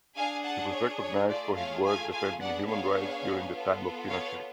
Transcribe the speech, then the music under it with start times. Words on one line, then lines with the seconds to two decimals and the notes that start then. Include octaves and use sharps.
He was recognized for his work defending human rights during the time of Pinochet.
0.16 D4 G#4 F5 G#5
0.45 F#5 A5
0.73 C#5
1.01 C#5
1.28 A3 F4 G#4 D5
1.56 C#5 F5
1.86 F5 G#5
2.13 F5 G#5
2.40 B3 D4 G#4 D5 F#5
2.68 C#5 F5
3.53 B3 F4 A4
4.08 C#5 F5